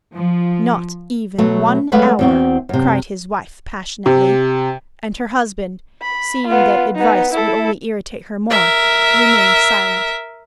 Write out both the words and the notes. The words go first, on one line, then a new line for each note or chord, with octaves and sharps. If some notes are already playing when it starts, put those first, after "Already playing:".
"Not even one hour," cried his wife passionately; and her husband, seeing that advice would only irritate her more, remained silent.
F3
B2 F#3 A3
F#3 G#3 A3 B4 F5 F#5
E2 C4 F#4
F#2 C3
C3
B5
B3 F4
B3 D#4
E4 A4
A#4 E5